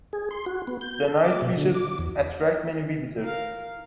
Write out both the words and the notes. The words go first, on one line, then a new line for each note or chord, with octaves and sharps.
The nice beaches attract many visitors.
G#4
C6
F#4
B3
G6
A4
D6
B2
D3
D6
E2
A#4 F5